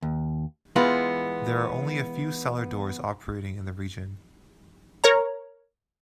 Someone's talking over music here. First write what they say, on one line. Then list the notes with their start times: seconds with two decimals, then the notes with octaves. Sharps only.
There are only a few cellar doors operating in the region.
0.02 D#2
0.76 E3 G#3 B3 F4
5.04 A#4 C#5 A#5